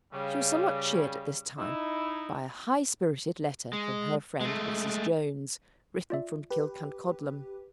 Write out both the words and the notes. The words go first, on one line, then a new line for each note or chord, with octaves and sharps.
She was somewhat cheered at this time by a highspirited letter from her friend Mrs. Jones, written from Killancodlem.
C#3 G3
D#4 E4
G#3
G#3 A3
F4 D5 E5
G4 B4